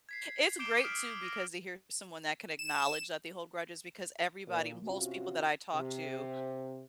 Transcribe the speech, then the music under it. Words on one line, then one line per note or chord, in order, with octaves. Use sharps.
It's great too because to hear someone that could acknowledge that they hold grudges because everybody, most people that I talk to,
G#6 B6 C7
D6 G6 C7 D7 E7 G7
D#6 F6 B6 D7
A#6
E7
A#2
C3 C#4 F4 F#4
C3